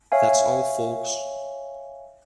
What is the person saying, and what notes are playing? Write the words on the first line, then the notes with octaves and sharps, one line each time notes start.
Thats all folks.
C#5 E5 F5 G#5